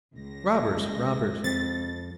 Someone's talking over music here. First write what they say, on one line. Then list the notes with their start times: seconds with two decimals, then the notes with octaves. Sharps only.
Robbers! robbers!'
0.15 C#2 A#6
1.44 F2 C4 A6